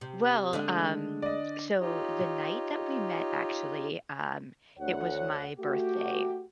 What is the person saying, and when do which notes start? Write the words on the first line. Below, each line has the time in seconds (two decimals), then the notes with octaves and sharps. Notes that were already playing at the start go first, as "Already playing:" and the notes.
Well, um, so, the night that we met, actually, um, it was my birthday.
0.01 C3
0.53 D3 G#3 A3
1.22 D5 D#5
1.80 D#4 F4 G4 C#5 D#5
4.78 D2 C#5 F#5
5.59 A3 F#4 G4